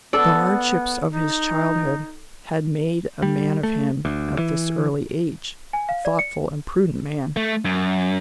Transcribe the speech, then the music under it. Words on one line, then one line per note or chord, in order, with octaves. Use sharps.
The hardships of his childhood had made a man of him at this early age, a thoughtful and prudent man.
B3 A4 D5
D#4
G3
A3
D2
E3
G#5
F5
D5
C#7
A3
F#2